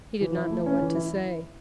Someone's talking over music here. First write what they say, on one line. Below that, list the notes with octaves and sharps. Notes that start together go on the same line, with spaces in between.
He did not know what to say.
E3
E4
A3
C#4
E3
E4